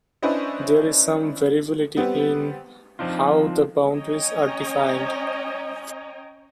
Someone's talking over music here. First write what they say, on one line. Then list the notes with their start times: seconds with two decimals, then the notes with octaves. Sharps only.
There is some variability in how the boundaries are defined.
0.23 C#4 D4 E4 B4 C5 D#5
1.97 G3 B3 C4
2.99 F3 C4 D4 D#4 F4
3.94 C#4 C#5 D#5 G5 G#5 A#5